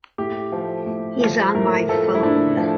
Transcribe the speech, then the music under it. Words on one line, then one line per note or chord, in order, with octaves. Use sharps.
He's on my phone.
A2 G4
F3 A3
A2
F3 A3
A2 A#4
F3 A3 A4
E4
A2 D4
F3 A3